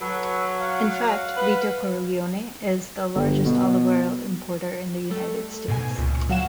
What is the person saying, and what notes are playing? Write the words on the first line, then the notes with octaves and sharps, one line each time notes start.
In fact, Vito Corleone is the largest olive oil importer in the United States.
F#3 A4 B4
F5 F#5
B4
G1
B2
G3 A3 A4
G#2 B2 G#5
C#2 A#2
D2 F#3 F#4 F5 F#5 E7